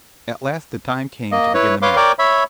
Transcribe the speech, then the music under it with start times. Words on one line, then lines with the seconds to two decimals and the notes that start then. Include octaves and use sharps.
At last the time came to begin the match.
1.32 A#3 D#5
1.54 E4 B4 C#5
1.82 B4 C#5 F5 C6 D6
1.96 A#4 C#5 D5 G5 D6
2.19 C#5 E5 B5